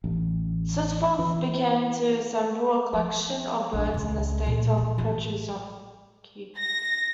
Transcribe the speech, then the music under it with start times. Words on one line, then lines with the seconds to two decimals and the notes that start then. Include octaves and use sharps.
Severtzov began to assemble a collection of birds in the estate of Petrovskoe.
0.04 A1
1.19 E3
2.93 F3
3.73 A#1
3.94 C#2
4.46 A#2
4.78 A3
4.98 A1
6.57 A#6